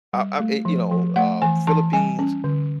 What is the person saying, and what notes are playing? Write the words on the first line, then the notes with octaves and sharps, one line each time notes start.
I, um and you know, uh, Philippines-
G3
A3
F3
F3
A3 F#5
E3 G#5
E3 A5
G3 G#5
C#4
D3